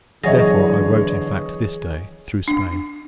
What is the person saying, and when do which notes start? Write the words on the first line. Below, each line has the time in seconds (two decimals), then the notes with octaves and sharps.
Therefore, I wrote, in fact, this Day, through Spain.
0.24 E2 D3 E3 F#3 G#4 C#5 D#5 A#6
2.48 D4